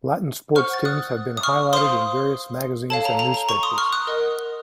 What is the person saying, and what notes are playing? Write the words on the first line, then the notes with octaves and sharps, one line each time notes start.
Latin sports teams have been highlighted in various magazines and newspapers.
C5 F#5 C#6 F6
A6
D#6 F#6
D#6
C#6 F6
C5 F5 C6 D#6
A4 C#5 F5 A5
A#5
A#5
A#5
A#5 C#6
C6 D#6
C#6 F6
D#6 F#6
A#4 D#5 F#5